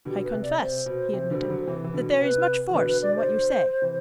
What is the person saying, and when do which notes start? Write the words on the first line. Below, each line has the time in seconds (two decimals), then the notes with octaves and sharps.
"I confess," he admitted, "that there is much force in what you say."
0.05 B2 D3 G4
0.24 B4
0.33 C3
0.42 D5
0.59 C3 C5
0.86 B2
1.13 C3
1.31 B2 D3
1.43 G3
1.50 D3 F#3
1.67 C3 E3
1.84 E3
1.94 B2 D3
2.21 C3 B4
2.69 E3
2.74 B2 D3 B4
2.88 B4
3.02 D5
3.16 C5
3.82 C3 E3